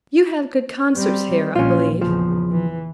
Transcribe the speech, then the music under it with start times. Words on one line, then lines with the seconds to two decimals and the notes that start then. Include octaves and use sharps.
'You have good concerts here, I believe.'
0.95 G3 C4
1.56 A#1 C#4 F4
2.01 E2 C#3 F3
2.50 E3